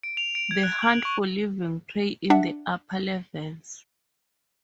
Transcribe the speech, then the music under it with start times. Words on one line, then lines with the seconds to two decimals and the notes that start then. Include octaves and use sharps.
They hunt for living prey in the upper levels.
0.03 D7
0.17 F7
0.35 D7
0.51 G#6
0.63 F#6
0.82 F#7
1.05 C#6
2.30 D4 E5 F#5